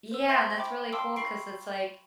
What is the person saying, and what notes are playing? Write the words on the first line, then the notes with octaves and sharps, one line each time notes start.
Yeah, and that's really cool 'cause it's like
C5 E6
E5 C6 C#6 G6 A6 B6
G5 B5 D6
F5 G5 A5 C6 D6 E6
F5 B5 C#6 C7 D7